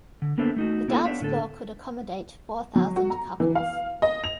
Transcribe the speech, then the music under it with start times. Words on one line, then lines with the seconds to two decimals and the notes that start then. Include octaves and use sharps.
The dance floor could accommodate four thousand couples.
0.22 D3
0.38 A#3 B3 D4 A4 C5 E5
0.56 A3 D#4 F#4
0.88 A#3 B3 E4 F4 G#4 A4
1.05 B3 D4 G4 C#5 E5 F5
1.21 A2 D3 C4 A4
2.76 F#3
2.96 F#4
3.10 A#5
3.40 E3
3.55 F5
4.02 D#5
4.24 F7